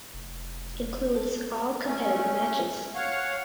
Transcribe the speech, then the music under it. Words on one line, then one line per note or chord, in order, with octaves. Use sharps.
Includes all competitive matches.
F1
A4
A3 C#4
C#5 F5 F#5